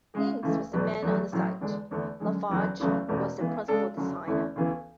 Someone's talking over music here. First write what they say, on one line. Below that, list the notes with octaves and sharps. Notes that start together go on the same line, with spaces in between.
Heins was the man on the site; LaFarge was the principal designer.
C#3 G#3 C#4 G#4
C#2 C#3 E3 A3
E2 B2 F#3 B3 D4
E2 D3 F#3 A3
A1 A2 F#3
E2 D3 G#3 D4
E2 D3 A3
F#2 D3 G#3
F#1 E2 D3 F#3
F#1 E2 C#3 F#3 A3
E1 E2 B2 A3 C#4
C#2 C#3 E3 B3 E4
C#3 G#3 D4 A4
F#1 F#2 D3 F#3 C#4
E2 D3 A3 C#4 E4
D2 C#3 E3 B3